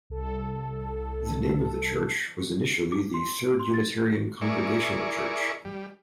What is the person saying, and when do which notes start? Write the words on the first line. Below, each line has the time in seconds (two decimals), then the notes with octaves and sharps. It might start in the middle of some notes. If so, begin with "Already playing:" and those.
The name of the church was initially the Third Unitarian Congregational Church.
0.10 C2 A4
2.92 D6
3.14 C6
3.39 D7
3.59 C6
3.74 A6
3.99 G6
4.41 E4 G#4 A#4 D5 C#6
5.65 G3